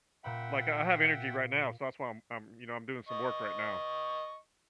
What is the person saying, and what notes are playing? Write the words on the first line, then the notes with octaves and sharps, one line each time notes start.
like, I have energy right now, so that's why I'm I'm you know, I'm doing some work right now.
A#2 E5 F#5 G5 B5
D#5 C#6